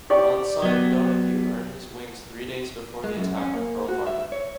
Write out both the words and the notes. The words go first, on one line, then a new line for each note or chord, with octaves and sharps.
Ensign Donahue earned his wings three days before the attack on Pearl Harbor.
G4 D5 C#6
F#3 B3
G#3
F#2
C#4
A#3
F#4
E5
C#5